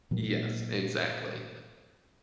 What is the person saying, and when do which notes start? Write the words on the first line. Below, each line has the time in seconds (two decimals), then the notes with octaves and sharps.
Yes, exactly,
0.11 A#2 F3 F#3 A#3